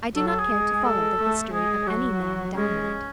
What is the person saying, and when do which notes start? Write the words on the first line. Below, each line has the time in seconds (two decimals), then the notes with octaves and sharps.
I do not care to follow the history of any man downward.
0.16 F#3 A4
0.28 A4
0.39 G#4
0.50 G#3
0.85 A4
1.19 A3
1.54 G#3 G#4
1.87 F#3 F#4
2.56 G#3 C#4